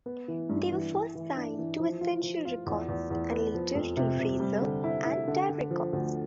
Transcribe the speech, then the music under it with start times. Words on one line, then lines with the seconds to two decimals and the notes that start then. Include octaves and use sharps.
They were first signed to Essential Records, and later to Razor and Tie Records.
0.06 B3
0.28 E3
0.49 G2
0.72 E3
0.93 E3
1.15 E3
1.37 D4
1.58 E3
1.79 F3
2.01 F4
2.23 F3
2.45 F4
2.66 E2
2.89 E2
3.10 E2
3.31 B3
3.54 F3
3.75 F2
3.97 C3
4.19 C3
4.40 G3
4.62 D3
4.84 E4
5.05 E4
5.27 D3
5.49 D3
5.71 F3
5.93 D2